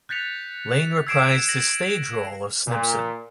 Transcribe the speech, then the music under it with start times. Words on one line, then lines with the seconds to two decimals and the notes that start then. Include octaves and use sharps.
Lane reprised his stage role of Snibson.
0.09 F#6 G6 A6 B6 C#7 F7
1.07 E6 G#6 C7 D7 E7
1.48 G#6 A#6 F#7
2.66 A#2